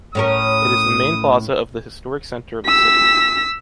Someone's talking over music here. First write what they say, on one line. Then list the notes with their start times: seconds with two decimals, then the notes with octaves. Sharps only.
It is the main plaza of the historic center of the city.
0.15 A2 C#4 A#4 D#6
2.66 E6 B6